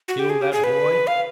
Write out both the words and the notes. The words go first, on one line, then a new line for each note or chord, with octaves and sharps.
Kill that boy?
F#4
G4
G#4
G4
G#4
B4
F5